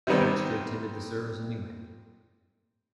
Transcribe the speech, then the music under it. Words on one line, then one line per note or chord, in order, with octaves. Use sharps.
Baxter attended the service anyway.
C3 D#3 G3 B3 C4